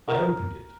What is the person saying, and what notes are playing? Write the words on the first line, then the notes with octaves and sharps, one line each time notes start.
I opened it.
A#4